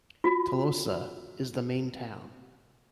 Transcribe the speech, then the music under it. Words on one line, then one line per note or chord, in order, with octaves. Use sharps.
Tolosa is the main town.
F4 F#4